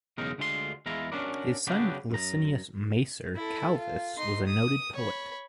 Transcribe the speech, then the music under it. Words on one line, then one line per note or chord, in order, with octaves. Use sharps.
His son Licinius Macer Calvus was a noted poet.
B1 E2 C#3 G#3 D#4 A#4
D2 D3 G#3 F4 G4 C6
E2 G#3 E4 F4 A#5
C#4 D4 F#4 A#4 D5
C#3 F#3 B3 D4 F#4 G4
F#2 A#5
E4 A4
F4
D#4 C6
D#6
C#5 B5